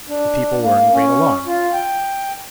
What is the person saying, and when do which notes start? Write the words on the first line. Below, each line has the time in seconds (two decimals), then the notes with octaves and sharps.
The people were in great alarm.
0.09 D4
0.62 A#3
0.92 C#4
1.47 F4
1.73 G5